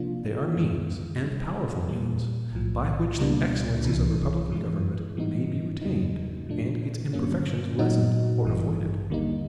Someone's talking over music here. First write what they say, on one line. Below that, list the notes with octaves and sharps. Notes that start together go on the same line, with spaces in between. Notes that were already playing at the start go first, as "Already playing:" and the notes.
They are means, and powerful means, by which the excellences of republican government may be retained and its imperfections lessened or avoided.
Already playing: C3 F3 A#3 D4 F4
F#2 D#3 G#3 B3
C3 D#3 G3
A#2 G3 A#3
B1 A2 F3
C#2 B2 G3 A#3 D4
C2 C3 E3
G2 E3 G#3
G#2 E3 G3 B3 D#4
E2 C#3 F#3 A#3 D#4
A#2 F3 A3 D4
G2 D3 F#3 A#3 C#4
A#2 F#3 B3 D#4 F#4
A1 G2 E3
D#2 D3 G3 A#3 D#4